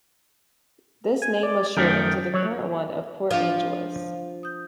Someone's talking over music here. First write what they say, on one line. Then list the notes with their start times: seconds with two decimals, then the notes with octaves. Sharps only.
This name was shortened to the current one of Port Angeles.
1.22 G#5
1.43 D5
1.77 F#2 D#3 A3 G5
2.34 F#3 C#5
3.31 F3 D4 F4
4.43 D#6 G6